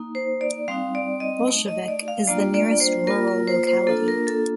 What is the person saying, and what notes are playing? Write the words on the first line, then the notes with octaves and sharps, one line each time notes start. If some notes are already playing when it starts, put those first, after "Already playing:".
Bolshevik is the nearest rural locality.
Already playing: A#3 D#4
C5
D5
G3 C4 D#4 F5
D5
D#5
A3 D#4
D#5
D5
F5
G3 A#3 D4 F4 D5
D5
C5
A#3 F4 A#4
A#4
C5
C5
A#3 D4 F4 A4
A#4
A4